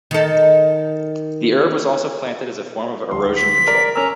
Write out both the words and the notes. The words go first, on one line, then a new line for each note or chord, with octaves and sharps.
The herb was also planted as a form of erosion control.
D#3 A4
D1 C6
B6
A#4 D5
C#4 A#4 A#5 E6